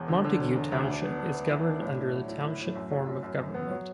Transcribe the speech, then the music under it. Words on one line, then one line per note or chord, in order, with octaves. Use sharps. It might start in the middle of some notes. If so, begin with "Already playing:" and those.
Montague Township is governed under the Township form of government.
Already playing: E1 E2
D3
D3
E1
E1
D2
D4
B3
D4
B3
E3
D4
A2
E4
F#3
E4
E4
A2
F#2
F#3
F#2
F#2
F#2
B3
F#3